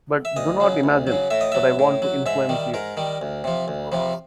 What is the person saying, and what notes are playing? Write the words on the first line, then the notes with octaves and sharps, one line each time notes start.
But do not imagine that I want to influence you.
E5
D2 D#5
C#3 F#3
D2
F#3
C#3
A2 E5
D#5
F#3 E5
A2
F#3
G#2 E5
D#3 G3
G#2 A#4
D#3 G3
D2
C3 F3
D2
C3 F3